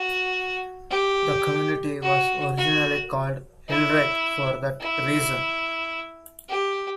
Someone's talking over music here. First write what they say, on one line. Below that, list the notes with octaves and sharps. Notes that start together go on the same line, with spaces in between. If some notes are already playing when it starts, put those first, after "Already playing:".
The community was originally called Hildreth for that reason.
Already playing: F#4
G4
F#4
F#4
E4
E4
G4